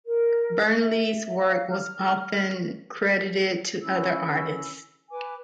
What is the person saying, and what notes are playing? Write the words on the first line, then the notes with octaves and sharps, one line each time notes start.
Burnley's work was often credited to other artists.
A#4
E5
F5
F6
C#4 E4 E6
B4 G#5 D6